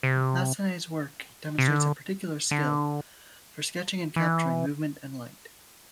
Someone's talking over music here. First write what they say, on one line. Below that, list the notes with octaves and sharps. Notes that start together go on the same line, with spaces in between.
Massonet's work demonstrates a particular skill for sketching and capturing movement and light.
C3
C3
D3
D3
E3